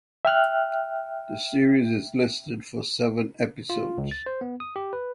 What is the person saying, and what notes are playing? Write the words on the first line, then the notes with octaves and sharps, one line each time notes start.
The series is listed for seven episodes.
E5 G5 F6 F#6
F4
C#2
A6
C5
B3
D#6
G4
B4